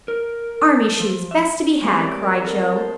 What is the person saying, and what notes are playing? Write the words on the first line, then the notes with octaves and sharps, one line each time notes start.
"Army shoes, best to be had," cried Jo.
A#4
A4
F3
E5
G#3 A3 C4 C#4 E4 G4
F2 A#4 D5
A#4 B4 F#5
A4 A#4 D#5 E5
A4 C5